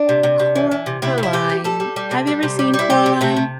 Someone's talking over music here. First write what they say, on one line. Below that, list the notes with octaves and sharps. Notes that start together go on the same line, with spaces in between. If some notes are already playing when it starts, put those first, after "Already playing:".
Coraline. Have you ever seen Coraline?
Already playing: D4
C3
C3
C3
E3
E3
C3
C3 E4
C3
E4
C3 G4
G3
G3 A4
G3
G3
C3
G3
C3
G3
G3
E4
C3 G4
C3
C3 A3
C3